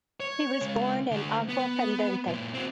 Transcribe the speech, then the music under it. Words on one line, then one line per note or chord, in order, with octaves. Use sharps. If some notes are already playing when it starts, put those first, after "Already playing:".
He was born in Acquapendente.
C#5
C#3 G#3
D3 A3
B3
A#2 E4
C4 F#4